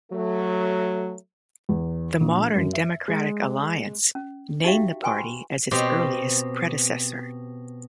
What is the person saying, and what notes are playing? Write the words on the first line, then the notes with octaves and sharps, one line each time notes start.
The modern Democratic Alliance name the party as its earliest predecessor.
F#3 A3
E2
A#1
F#2
E5
G#3
C#4
D#4 F#4 G4 E5 F5 G5
B4 C5 G5 G#5 C6 C#6
B5 C6
B2 C4 G4